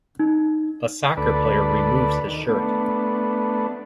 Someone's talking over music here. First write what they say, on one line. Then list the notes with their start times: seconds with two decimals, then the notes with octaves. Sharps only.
A soccer player removes his shirt.
0.19 D#4
1.17 D2 A4 B4 D5
2.27 D#3
2.48 A3 B3 D4